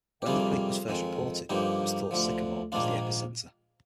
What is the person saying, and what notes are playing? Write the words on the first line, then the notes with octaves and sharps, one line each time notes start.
When the quake was first reported, it was thought Sycamore was the epicenter.
G4
F2 C3 G3 A#3 F4 G#4
F2 D#3 G#3
G2 D3 F3 A#3 D#4 G4
D2 D3 F3
A#1 G#2 D#3 A#3 D4 F4